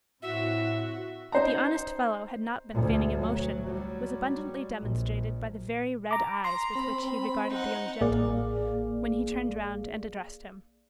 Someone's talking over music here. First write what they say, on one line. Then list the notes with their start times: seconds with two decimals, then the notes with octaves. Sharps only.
That the honest fellow had not been feigning emotion, was abundantly demonstrated by the very red eyes with which he regarded the young gentleman, when he turned round and addressed him.
0.22 A2 C4 E4 F#4 E5
1.32 D#4 C5 A#5
2.71 D2 B2
3.17 F#3
3.67 F#3 G3
4.80 A#1
6.11 A#5 D6
6.44 A#5 C6
6.75 C4 B5
7.50 D#4 F#5
8.01 A1 A#3 G#4 D5 F5